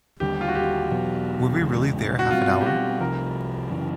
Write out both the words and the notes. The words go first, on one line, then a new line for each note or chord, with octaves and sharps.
Were we really there half an hour?
D#2 D3 G3 G4
F4
F#4
G4
E2 B2 F#3 B3
E2 C#3 E3 G#3
F#4
B2 G3 C4 F4
G4
F#4
C2 C3 F3 A#4
F#2 C#3 E3